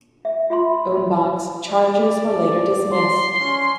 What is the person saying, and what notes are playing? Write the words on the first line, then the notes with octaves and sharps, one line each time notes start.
Umbach's charges were later dismissed.
E5
F4 E5 B5 C6
D5
C6
C#4